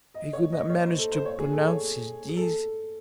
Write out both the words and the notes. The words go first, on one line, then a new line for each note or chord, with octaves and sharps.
He could not manage to pronounce his Ds.
D#5
C#5
D#5
C#5
C5
A4
C5
C#5
G#4
A4
C#5
G#4
A4